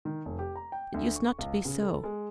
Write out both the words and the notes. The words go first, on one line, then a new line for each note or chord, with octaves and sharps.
It used not to be so.
D#3
F1
G4
A#5
G5
D2
C#6
C#2
C#3
A4
G#3